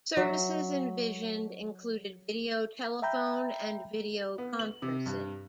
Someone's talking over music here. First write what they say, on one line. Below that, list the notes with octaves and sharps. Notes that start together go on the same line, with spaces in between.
Services envisioned included video telephone and video conferencing.
F#3 E5
E5 G5 A#5 B5 G6
B3
F#7
C3
G2